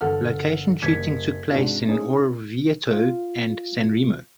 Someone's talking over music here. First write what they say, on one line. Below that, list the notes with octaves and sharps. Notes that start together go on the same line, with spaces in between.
Location shooting took place in Orvieto and San Remo.
G1 A4 F#5 F6
F#1 G3 G#6 B6 C#7
G#2 C3 D4 F#4
C#4 D#4 E4 G#4 D#5
F4